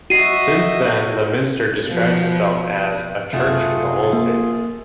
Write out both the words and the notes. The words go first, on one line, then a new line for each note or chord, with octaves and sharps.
Since then the Minster describes itself as "A church for the whole City".
F#4 D#5 E5 C7 D#7
B2 F3
F#2 C3 A3 F4 F#4 G#4
A#3